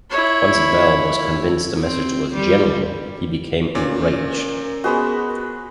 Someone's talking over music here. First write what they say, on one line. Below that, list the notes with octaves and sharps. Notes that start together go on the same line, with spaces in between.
Once Bell was convinced the message was genuine, he became enraged.
E4 C#5
C4
G3
A#2 C#4 A#4 D5
B3 F#4 G#4 B4 C5 D#5